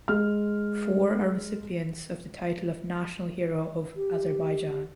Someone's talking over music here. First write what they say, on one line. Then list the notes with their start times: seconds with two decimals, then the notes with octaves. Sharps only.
Four are recipients of the title of National Hero of Azerbaijan.
0.08 G#3 F6
3.96 G4